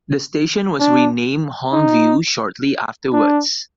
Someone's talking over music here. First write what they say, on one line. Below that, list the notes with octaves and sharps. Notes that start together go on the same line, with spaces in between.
The station was renamed Holmview shortly afterwards.
D4
D#4
D4